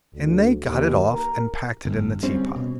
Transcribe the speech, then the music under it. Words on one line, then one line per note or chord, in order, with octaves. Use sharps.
And they got it off, and packed it in the teapot.
D2
D#2
A#4
G1
G3 C4 C#4
B2